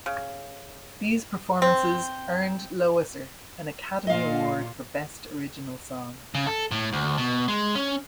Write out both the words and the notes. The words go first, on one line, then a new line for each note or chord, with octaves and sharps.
These performances earned Loesser an Academy Award for Best Original Song.
C#3
C4
A#2 F4 D#5 F5
C#3
A4
A2
D2
B2
G#3
C#4